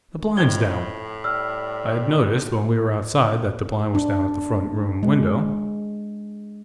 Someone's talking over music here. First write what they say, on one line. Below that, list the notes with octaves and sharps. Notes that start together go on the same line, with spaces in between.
'The blind's down!' I had noticed, when we were outside, that the blind was down at the front room window.
F2 A2 G5 G#6 G7
G3 E6 F6
D4
G#3